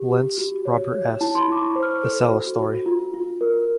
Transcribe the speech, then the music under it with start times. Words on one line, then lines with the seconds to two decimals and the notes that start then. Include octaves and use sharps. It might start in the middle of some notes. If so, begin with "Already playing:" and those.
Lince, Robert S. "The Selah Story".
Already playing: G4
0.10 G4
0.38 F#4
0.65 C#5
0.93 C#5
1.21 E4 A5
1.35 C6
1.41 B5
1.48 E4 D6
1.62 C#6
1.76 C5
1.83 F6
2.04 A4
2.31 F#4
2.58 F#4
2.86 F4
3.14 F4
3.41 A#4